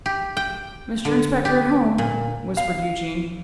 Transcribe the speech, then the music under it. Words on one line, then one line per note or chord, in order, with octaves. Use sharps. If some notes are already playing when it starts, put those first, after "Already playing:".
'Mr Inspector at home?' whispered Eugene.
G4
G5
D3
G4
A#2
F5